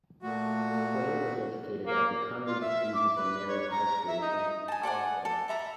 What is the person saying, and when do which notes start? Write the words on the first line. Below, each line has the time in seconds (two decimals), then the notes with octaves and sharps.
Quayle was educated at the Convent of Jesus and Mary High School in Harlesden.
0.22 A#2 A3 F#4
1.85 A#3
2.46 F4
2.61 E5
2.94 D6
3.16 B4
3.48 C#5
3.70 A#5
4.07 E5
4.21 D#4
4.68 G#5 A5
4.83 A4 D5 F#5 G#5
5.25 A4
5.48 A4 E5 A#5 B5